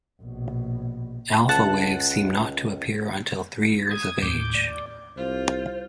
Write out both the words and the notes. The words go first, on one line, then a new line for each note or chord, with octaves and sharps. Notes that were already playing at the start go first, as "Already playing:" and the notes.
Alpha waves seem not to appear until three years of age.
A#1 B2
C#2 F#5 A5
D#6 G#6
D#2 A2 D6 G6
D5
C2 F4 C5